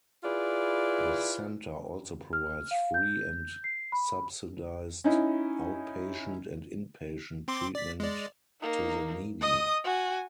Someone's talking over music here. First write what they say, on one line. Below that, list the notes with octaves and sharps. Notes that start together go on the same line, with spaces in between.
The centre also provides free and subsidised out-patient and in-patient treatment to the needy.
E4 F4 G#4 B4 D5
F6
F5
G6
C7
B5
C#4 D#4 E4
C4 C6 D6
D5 B6
G#3 D5
A#3 D#4
D#5 D#6
F#4 G#5